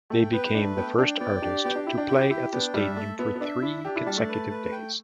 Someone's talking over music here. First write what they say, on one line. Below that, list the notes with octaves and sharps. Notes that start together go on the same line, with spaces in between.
They became the first artist to play at the stadium for three consecutive days.
A3 G5
B3 B4
A3 D4
B3 G5
D4 G5
B3 D5
D4 G4
B3 G5
D4
E4 G5
D4
E4 G4
E4 G5
B3 D4
G3 E5
A3 A4
B3 E5
B3
D4 E5
D4 E4
D4 G4
E4
G3 A5
A3
B4
B4
G5